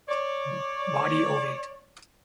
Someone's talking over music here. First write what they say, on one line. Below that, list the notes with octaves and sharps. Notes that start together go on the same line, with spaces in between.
Body ovate.
C#5 D5